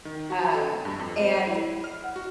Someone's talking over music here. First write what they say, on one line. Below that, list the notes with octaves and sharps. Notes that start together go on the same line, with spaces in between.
um, and
D#3
F#4
A4
G2
F2
C5
E4
F6
F#5
F#4